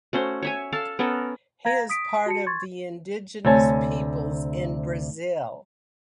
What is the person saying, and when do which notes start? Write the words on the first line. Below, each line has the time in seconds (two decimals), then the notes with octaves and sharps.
He is part of the Indigenous peoples in Brazil.
0.13 A3 C#4 F#4 C5
0.42 C#5 E5 G#5
0.72 A4 F5 A5
0.99 B3 C#4 A4 A#4
1.65 F5 A#5 G#6 A#6
1.90 D#6 B6 D7
2.26 F#4 A5 C#7
2.46 C6 C#6 G#6 A6
3.45 D2 C3 C#5 G#5 A5